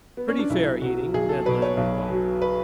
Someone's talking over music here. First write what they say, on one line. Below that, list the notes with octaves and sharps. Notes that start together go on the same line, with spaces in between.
"Pretty fair eating," Ned Land replied.
B3
C#4
D4
B1 E4
B2 F#3 F#4
B1 G#4
A4
B2 F#3 B4
C#5
B1
B2 F#3
B4